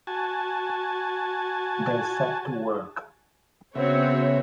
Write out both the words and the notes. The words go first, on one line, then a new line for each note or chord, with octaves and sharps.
They set to work.
F#4 G#5 A5
C#3 B3 C4 F#4 C#5 E5